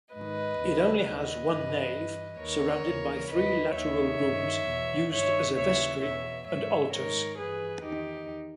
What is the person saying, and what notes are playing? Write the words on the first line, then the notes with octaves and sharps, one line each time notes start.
It only has one nave, surrounded by three lateral rooms used as a vestry and altars.
G#2 D#3 B4 D#5
D#2 C#3 E3
D#2 D#3 B4 D#5
G2 E3
G2 E3
D#2 D#3 A#4 C#5
D#2 C#3 E3
E2 D#3 B4 D#5
D#2 D#3 C#5 E5
G2 D#3
E2 B2
G2 D#3 C#5 E5
D#2 C#3 E3 C#5 E5
E2 B2 C#5 E5
G#2 E3 C#5 E5
G#2 D#3 A#4 C#5
G2 E3 G#4 B4
E2 D#3 D#4 G4